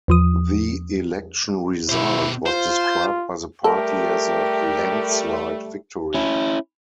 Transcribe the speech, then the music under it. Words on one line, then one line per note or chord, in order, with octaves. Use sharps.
The election result was described by the party as a landslide victory.
E2 F3 D#6
B2 E4 C5
F4 C5
G3 A3 G4 A4 A#4
C#4 E4